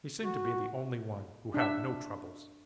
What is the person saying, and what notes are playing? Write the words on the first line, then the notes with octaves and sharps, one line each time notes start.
He seemed to be the only one who had no troubles.
F#4
D4 E5